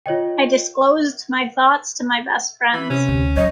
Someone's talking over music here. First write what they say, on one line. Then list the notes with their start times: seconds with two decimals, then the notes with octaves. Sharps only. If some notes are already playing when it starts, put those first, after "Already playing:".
I disclosed my thoughts to my best friends.
0.06 F4 C#5 D#5 G5
2.74 E3 B5
2.90 C3 C#4
3.08 D2
3.37 F#3 C#5 D#5